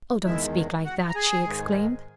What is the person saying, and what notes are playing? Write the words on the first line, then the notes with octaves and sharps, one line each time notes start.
"Oh, don't speak like that," she exclaimed.
E2 D#3 G#3 E4 E5
F#4 F#5
A#5
G#4 G#5
G#2 D#3 G#3